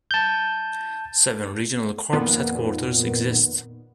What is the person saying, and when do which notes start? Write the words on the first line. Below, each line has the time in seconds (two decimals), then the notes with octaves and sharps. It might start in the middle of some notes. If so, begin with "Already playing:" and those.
Seven regional corps headquarters exist.
0.11 A5 G6
2.13 F2 A#2 D#3 B3